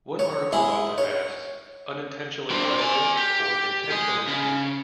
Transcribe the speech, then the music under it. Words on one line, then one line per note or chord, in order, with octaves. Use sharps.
One article author asks, unintentionally hilarious or intentionally evil?
C#5
G#3 E4 G#4
C#5
C4 D4
D5 G#5
G4
G#4 D#5
C#3